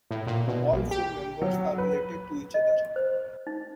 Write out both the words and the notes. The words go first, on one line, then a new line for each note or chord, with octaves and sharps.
All four members are related to each other.
A2
A#2
B2
A#1
G4
F#3
B4
D#5
C5
D#4